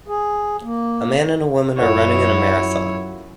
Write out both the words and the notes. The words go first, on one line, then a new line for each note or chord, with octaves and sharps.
A man and a woman are running in a marathon.
G#4
A#3
F#2 E4 F4 A4 C#5 F#5